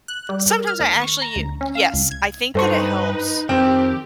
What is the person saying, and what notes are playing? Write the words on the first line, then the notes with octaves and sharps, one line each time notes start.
Sometimes I actually you yes. I think that it helps
F#6
G3
A#4
F6
D#2
C#6
A#5
D2
C#4
F5
C#2
G#6
G2 D#4 A4 B4 C5 C#6
F2 D#3 C4 G4